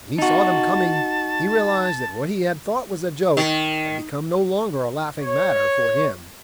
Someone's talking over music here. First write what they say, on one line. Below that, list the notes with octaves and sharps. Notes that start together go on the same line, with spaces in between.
When he saw them coming, he realized that what he had thought was a joke had become no longer a laughing matter for him.
D#4 F#4 A5
D#3
C#5